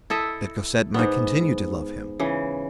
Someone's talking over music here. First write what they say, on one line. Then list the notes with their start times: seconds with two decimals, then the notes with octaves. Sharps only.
That Cosette might continue to love him!
0.10 E4 A4 D#5 E5
0.94 G#2 B3
2.19 C#3 E3